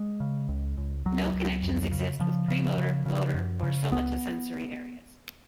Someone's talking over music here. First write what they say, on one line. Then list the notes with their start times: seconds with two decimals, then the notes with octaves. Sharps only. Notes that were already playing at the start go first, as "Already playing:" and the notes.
No connections exist with premotor, motor, or somatosensory areas.
Already playing: G#3
0.20 C#3
0.49 C#2
0.77 C#2
1.05 C#2 F#3
1.34 C#2
1.63 F2
1.92 C#3
2.20 C#3 F3
2.48 C#3
2.78 C#3
3.06 C#3
3.34 F#2
3.63 C#3
3.91 C#2 B3